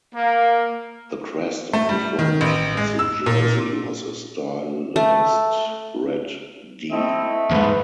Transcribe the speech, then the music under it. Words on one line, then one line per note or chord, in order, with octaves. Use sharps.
The crest on the front of the jersey was a stylized red "D".
A#3
A3
G3
D#3
A1
G#3
E6
A#2
A3
A3 C4 E4 D#5
D#2 G#2 B4